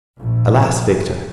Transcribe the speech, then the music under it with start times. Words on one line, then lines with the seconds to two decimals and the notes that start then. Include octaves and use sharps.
Alas, Victor!
0.19 A#1